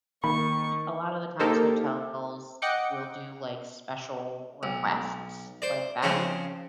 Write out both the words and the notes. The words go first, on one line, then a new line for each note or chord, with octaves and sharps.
A lot of the times hotels will do, like, special requests like that.
D#3 A#3 B5 C#6
A#3 D#4 G4 A4 A#4 C5
D#5 F#5 G5 D6 G6 C#7
B1
C5 D5
C#3 F3 C4